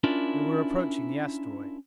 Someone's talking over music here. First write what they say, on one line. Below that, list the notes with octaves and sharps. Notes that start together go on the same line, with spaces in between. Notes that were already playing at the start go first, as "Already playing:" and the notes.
We were approaching the asteroid.
C#4 D4 E4 F4 A#4 D5